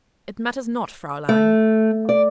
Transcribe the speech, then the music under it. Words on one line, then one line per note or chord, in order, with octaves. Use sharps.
'It matters not, Fraeulein.
A3
D5